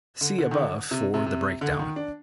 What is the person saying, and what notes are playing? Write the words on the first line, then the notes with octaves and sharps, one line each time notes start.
See above for the breakdown.
D3
D3
D#3
D3
C3
C3
C3
D3
D#3
D4